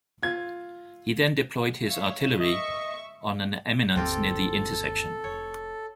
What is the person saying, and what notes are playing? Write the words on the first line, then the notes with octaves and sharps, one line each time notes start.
He then deployed his artillery on an eminence near the intersection.
F4 G#6
C#5 E5 F5
D#5 E5 C#6
G1 D#2 C4 F4 G4 A4
F1 C#5